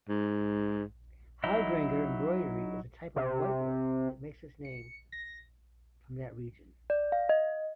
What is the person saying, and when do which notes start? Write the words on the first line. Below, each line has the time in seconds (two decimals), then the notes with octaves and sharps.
Hardanger embroidery is a type of whitework that takes its name from that region.
0.09 G#2
1.44 F#3 D#4 E4
3.16 C3
4.65 C#7
5.12 A#6
6.90 D5
7.12 F5
7.29 D#5